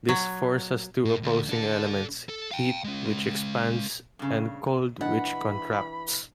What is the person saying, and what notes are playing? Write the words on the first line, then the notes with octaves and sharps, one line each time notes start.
This force has two opposing elements: heat, which expands, and cold, which contracts.
F#3
A2
D2
D4 A4
A4
F5 G5
G#3 C#4
G2 C#3
E3 D4 D#5 F#5 B5